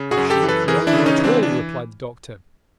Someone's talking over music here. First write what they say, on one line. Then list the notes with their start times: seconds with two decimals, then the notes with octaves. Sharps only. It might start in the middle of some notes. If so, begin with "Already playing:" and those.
'I shouldn't wonder at all,' replied the doctor.
Already playing: C#3
0.11 F#4 G#4
0.17 F#2
0.30 G4 A4
0.43 E3
0.49 A4 B4
0.68 E3 G#4 A#4
0.87 D4 E4
0.93 C#3
0.98 D4
1.06 C#4 D#4
1.18 E3
1.24 C4 D4
1.43 D4